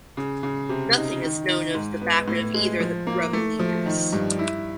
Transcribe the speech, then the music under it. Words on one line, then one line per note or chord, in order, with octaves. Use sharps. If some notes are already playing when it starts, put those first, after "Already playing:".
Nothing is known of the background of either of the rebel leaders.
C#3
C#3
C3
D#4
D#3
D#3
G#2
B3
A2
G#3
F3
A#3
A3
F3
D#3
G2
E4